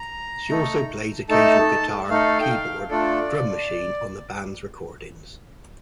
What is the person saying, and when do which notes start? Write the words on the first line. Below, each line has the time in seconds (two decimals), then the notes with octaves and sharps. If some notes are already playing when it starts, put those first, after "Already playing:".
She also plays occasional guitar, keyboard, drum machine on the band's recordings.
Already playing: A#5
0.49 A3 D#4 A4
1.29 A3 D#4 A4 A5
2.10 A3 D#4 A4 F5
2.41 G5
2.50 F5
2.90 A3 D4 F4 A4 D5